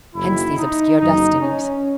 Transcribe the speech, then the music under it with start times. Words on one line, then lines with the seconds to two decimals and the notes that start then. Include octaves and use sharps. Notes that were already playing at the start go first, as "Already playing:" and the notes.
Hence these obscure destinies.
0.15 F#1 F#2 D#3 E4
0.58 D#4
0.99 F#1 F#2 D#3 D#4
1.41 C#4